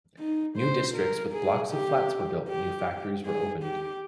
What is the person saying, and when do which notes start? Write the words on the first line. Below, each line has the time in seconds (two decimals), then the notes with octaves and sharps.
New districts with blocks of flats were built, new factories were opened.
0.19 D#4
0.57 C5
0.95 A#4
1.34 G#4
1.72 G4
2.49 G4
3.25 G#4
3.64 G4